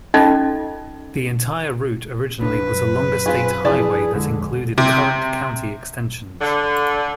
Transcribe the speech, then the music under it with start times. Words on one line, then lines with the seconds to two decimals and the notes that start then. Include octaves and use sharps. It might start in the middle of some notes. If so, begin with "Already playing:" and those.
The entire route originally was a longer state highway that included current county extensions.
0.14 C#4 D#4 F4 F#4 A4 D#5
2.41 D1 C3 D4 B4
2.72 F#2 F#3
3.26 C4 F4 G#4
3.65 F3 E4 G#4 D5
4.14 A#1 F2 D3 G#3
4.78 C3
6.41 D3